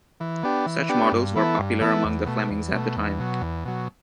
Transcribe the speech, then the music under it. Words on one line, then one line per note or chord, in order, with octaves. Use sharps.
Such models were popular among the Flemings at the time.
E3
B3 D4 G4
E3
B3 D4 G4
G2
E3 B3 E4 A4
G2
E3 B3 E4 A4
E2
B2 A3
E2
B2 A3
E2
B2 F#3
E2
B2 F#3